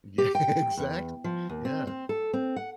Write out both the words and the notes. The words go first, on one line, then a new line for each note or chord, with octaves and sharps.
Yeah, exactly. Yeah.
G4
G5
E2
F3
D#2
C4
C4
A4
C4
F#5